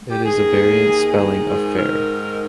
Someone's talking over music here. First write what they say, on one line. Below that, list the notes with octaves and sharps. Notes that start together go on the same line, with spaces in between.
It is a variant spelling of fair.
G4
D#2 D#3 G#4
G#4
G#2 D#3
A#4